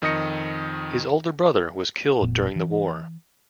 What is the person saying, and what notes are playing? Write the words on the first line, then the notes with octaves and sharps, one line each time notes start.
His older brother was killed during the war.
F2 D#3 D#5 D#6 A#6 C#7
F1 A#2 B3
E3